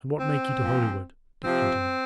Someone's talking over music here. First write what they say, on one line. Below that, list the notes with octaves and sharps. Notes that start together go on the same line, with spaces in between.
"And what make ye to Holywood?" Dick continued.
C4
A#2 F3
C3 F3 C4